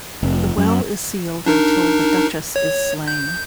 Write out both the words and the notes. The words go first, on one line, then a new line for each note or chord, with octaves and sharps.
The well is sealed until the Duchess is slain.
F1
F#2
D4 D#4 A#4
C#5
G6